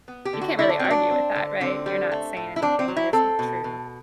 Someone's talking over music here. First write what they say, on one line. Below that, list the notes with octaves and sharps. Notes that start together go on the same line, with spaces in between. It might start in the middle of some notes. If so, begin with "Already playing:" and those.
you can't really argue with that, right? You're not saying anything that isn't true.
B3
G4
D3
F#4
D3 E4
D4
F#3 C4
D4
C4
D3
D3 C4
G3
A3
A2
E4
C4 D4
C4
F#3
E4
C4 A4
B2
B2